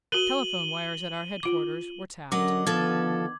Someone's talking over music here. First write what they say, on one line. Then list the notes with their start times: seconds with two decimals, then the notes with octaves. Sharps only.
Telephone wires at our headquarters were tapped.
0.12 F#4 A#4 D#7 F#7 G7
1.43 F4 D6
2.32 D3 F#3 C#4 A#4 D#5 D6 F#7
2.67 D3 D#3 F3 B3 A4 G#6